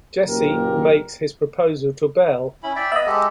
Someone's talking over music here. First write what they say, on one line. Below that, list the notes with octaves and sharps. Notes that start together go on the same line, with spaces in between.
Jesse makes his proposal to Belle.
F#1 A#2 G4 A#4
C#4 E4 B5
D5 E5 G5
B3 D#5 E5 B5
G#3 G4 A4